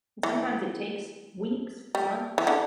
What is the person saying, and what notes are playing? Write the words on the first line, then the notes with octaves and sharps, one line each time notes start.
and sometimes it takes weeks, months
E3
G3
E3
D3